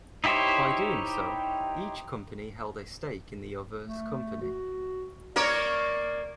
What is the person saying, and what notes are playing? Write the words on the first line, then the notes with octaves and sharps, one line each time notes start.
By doing so, each company held a stake in the other's company.
D#4 E4 G4 C5 C#5
A3
F#4
A#3 A#4 C#5 D5